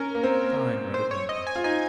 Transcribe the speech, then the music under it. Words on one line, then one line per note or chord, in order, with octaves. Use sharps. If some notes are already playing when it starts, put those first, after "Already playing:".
Fine rhododendrons.
Already playing: C#4 A#4
A#3
C4
C5
C#5
D#5
G#5
F4
D#4 G#5